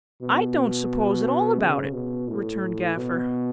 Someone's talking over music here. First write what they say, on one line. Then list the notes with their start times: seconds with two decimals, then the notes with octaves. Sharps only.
'I don't suppose at all about it,' returned Gaffer.
0.22 B2
1.60 C#3
1.93 B2
2.28 A2
2.96 B2